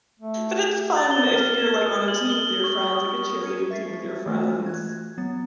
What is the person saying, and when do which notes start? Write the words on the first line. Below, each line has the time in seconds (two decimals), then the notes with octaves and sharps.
But it's fun if you're, like, on a team with your friends, like, a cheerleading team with your friends.
0.20 A3
0.96 A6
1.11 G7
1.35 F6
1.58 E7
1.86 D#6
2.08 F#7
2.30 G7
2.64 C#6
2.95 D#6
3.43 F6 G#6 C#7 D#7
3.70 E5 C#6 A6 B6 C7
4.26 E3 A3 F4 F#4
4.66 F#6 G#6
5.18 F#3 B3 A6